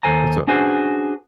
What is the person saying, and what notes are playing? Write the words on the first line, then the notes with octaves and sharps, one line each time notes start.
What's up?
D#2 A4 C5 G#5 A#5
C#4 D4 F#4 G#4 B4 C5